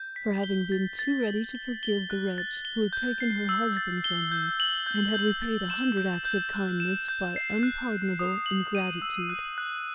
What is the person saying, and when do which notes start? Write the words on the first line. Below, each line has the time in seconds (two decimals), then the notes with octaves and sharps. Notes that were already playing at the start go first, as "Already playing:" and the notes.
For having been too ready to forgive the wretch who had taken her husband from her, and had repaid a hundred acts of kindness by unpardonable ingratitude.
Already playing: G6
0.16 B6
0.44 G7
0.72 A6
0.99 A6
1.27 F#7
1.55 G7
1.83 G7
2.10 F#6
2.38 A6
2.65 G7
2.93 G6
3.20 C7
3.49 E6
3.77 A6
4.04 G7
4.31 G6
4.60 F#7
4.86 G6
5.14 G6
5.42 A6
5.70 E7
5.97 G6
6.25 G6
6.53 F#6
6.80 E7
7.08 G6
7.36 C7
7.63 F#6
7.92 F#6
8.19 D#6
8.46 F#7
8.75 D#7
9.02 E6
9.29 F#6
9.58 F#6